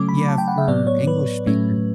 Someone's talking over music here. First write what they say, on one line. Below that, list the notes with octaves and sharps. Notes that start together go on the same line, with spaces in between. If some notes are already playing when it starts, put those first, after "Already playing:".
Yeah, for English speaker
Already playing: C#3 F#3 A3 C#4 D6
B5
A5
G5
F#5
E5
A2 F#3 B3 D5
C#5
B4
A2 F#3 A3 C#4